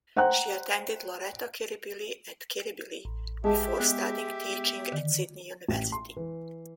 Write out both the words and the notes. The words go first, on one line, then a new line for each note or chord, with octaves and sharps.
She attended Loreto Kirribilli at Kirribilli, before studying teaching at Sydney University.
C5 F#5 G5 A#5 F#6
A1
G#3 G4 E5 A5
B3 F#6
D3 D#3
A1
C6
E3